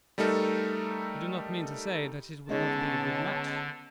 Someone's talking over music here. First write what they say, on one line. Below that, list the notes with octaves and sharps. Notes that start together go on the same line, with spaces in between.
"You do not mean to say that it would not be a good match?"
G3 A3 D#4 A4 A#4
D3 G#3 B3 C#4 D#4 C#5 A5